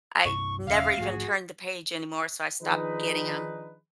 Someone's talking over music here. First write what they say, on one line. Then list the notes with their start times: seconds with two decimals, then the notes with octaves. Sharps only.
I never even turned the page anymore so I stopped getting 'em.
0.25 G2 C3 C#6
0.67 E1 E2 C#3 C#4 E5 F5
0.97 G#2 F3 A3 F#4 G#4
2.61 D#3 F3 D4 D#4 G#4 B4